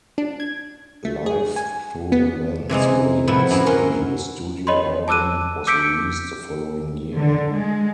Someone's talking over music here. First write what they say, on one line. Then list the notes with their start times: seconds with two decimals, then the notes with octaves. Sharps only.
"Life thru a Lens", Williams' debut studio album, was released the following year.
0.18 D4
0.40 G#6
1.05 A3
1.26 G#4
1.56 G#5
2.12 B3
2.69 C3 E3 G#3 D#4
3.27 A2 F3 B3 E4 F#4
3.51 F#2 E3 E4
3.66 C#4 A#4 F#5 C6
4.67 C#5 D#5 B5 C6
5.08 A5 D6 E6 F#6 D#7
5.67 D6 E6 G6 B6 C#7 D7
7.16 D3
7.54 G#3